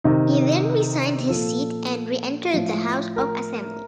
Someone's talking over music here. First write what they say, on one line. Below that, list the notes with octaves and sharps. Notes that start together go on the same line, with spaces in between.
He then resigned his seat and re-entered the house of assembly.
C3 D#3 D#4
A#2 F3 A4
A2 F3
A#4